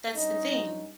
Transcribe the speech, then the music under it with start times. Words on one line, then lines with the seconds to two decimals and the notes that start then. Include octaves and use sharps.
that's the thing.
0.14 G2 C#4 D#4 D#5